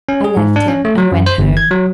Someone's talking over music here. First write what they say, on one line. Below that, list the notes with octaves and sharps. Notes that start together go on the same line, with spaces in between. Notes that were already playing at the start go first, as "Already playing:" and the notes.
I left him, and went home.
C#4
G#4
G#2
D4
C#4
A3
F#3
F#2
C5
G1
G#6
F#3